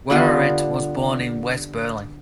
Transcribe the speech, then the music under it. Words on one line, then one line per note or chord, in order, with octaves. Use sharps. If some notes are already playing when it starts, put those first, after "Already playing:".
Wowereit was born in West Berlin.
D3 G3 B3 F4